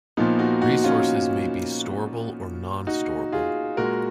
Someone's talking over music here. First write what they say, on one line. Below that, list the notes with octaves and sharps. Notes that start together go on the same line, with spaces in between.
Resources may be storable or non storable.
A#2 F3 A#3 B3 D#4
D#4 F#4
D#4 F#4
C#4 F4
D#4 F#4
F4 G#4
A#2 G#3 F#4 A#4